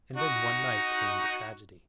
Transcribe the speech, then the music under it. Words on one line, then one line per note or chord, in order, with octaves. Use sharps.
And then one night came the tragedy.
D#4 F#4